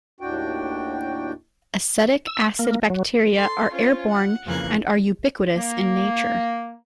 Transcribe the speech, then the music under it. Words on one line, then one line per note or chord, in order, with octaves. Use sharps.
Acetic acid bacteria are airborne and are ubiquitous in nature.
D#2 A2 D4 F#4 G5
E6
A#3
F#3
A4 C6
C#4 F4 C5
F#5
F2 C#3 E3 A#3 F#6 G#6
A#3